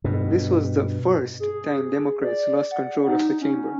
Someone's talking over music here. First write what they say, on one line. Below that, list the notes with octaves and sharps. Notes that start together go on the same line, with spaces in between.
This was the "first" time Democrats lost control of the chamber.
G2 B2
G#4
D5
F#5
D#4
C#4